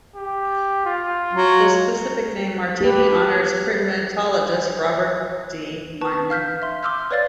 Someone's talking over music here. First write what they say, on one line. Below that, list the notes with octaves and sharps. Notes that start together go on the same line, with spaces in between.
The specific name, "martini", honors primatologist Robert D. Martin.
G4
F4
F#3
G4 B4
B4 A5 C#6
F5 F6 G6 B6
E5 C6
C6 D6 E6 F6 G6
B4 C#5 D5 F5 A6